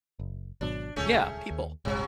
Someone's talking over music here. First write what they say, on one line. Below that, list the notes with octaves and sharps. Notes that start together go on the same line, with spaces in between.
Yeah, people,
F#1
G#1 B2 F#3 D4
D#1 C#2 A3 C#4 G#4
D#2
D#1 G#1 C3 F#3 G#3